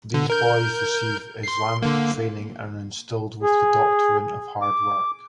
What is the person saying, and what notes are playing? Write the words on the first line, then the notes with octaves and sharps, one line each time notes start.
These boys receive Islamic training and are instilled with the doctrine of hard work.
D3
A#4 G6
C6 C7
D3 A#3
G#4
D6